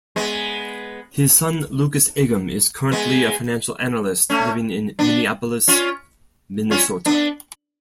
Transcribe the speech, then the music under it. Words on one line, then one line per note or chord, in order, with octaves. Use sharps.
His son, Lucas Eggum, is currently a Financial Analyst living in Minneapolis, Minnesota.
G#3 B3
G#3 B3
A3 C#4
B3 D4
C#4 F4
C#4 F4
B3 D4